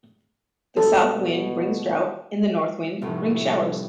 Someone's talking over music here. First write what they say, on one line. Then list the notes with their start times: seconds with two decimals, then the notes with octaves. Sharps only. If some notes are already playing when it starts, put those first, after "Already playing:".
The south wind brings drought and the north wind brings showers.
0.77 B2 A4
3.02 F1 C2 A2